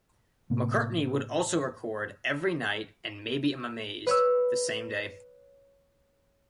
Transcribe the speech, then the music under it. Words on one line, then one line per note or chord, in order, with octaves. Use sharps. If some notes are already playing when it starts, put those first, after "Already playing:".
McCartney would also record "Every Night" and "Maybe I'm Amazed" the same day.
A2 C3 A#3
B4 C#5 E6